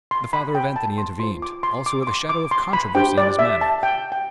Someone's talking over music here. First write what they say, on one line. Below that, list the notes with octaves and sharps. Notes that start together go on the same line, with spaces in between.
The father of Anthony intervened, also with a shadow of controversy in his manner.
C6
B5
G5
A5
C6
F4 C5 C6
D6
C6
D6
D6
C6
D6
C6
B5
D4 G4 C5 G5
D5
E5
A5
G5
G5